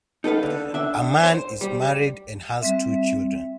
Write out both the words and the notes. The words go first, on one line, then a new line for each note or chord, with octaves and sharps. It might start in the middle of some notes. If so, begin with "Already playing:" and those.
Ammann is married and has two children.
D#4 A4 B4 F5
D3
D4 E5
C5
G3
G3 C4 E5